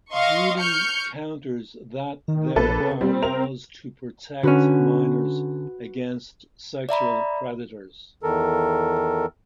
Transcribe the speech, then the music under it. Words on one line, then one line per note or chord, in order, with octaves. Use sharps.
Julie counters that there are laws to protect minors against sexual predators.
D#5 F5 C6 C#6
C#6 F6 G6 C#7
D#3
A#1 A#3 A4 B4
C#3
G3 C4
A#4 F7
D3 C#4 F#4 B4
D5 E5 A#5 B5
E2 D#3 A4 A#4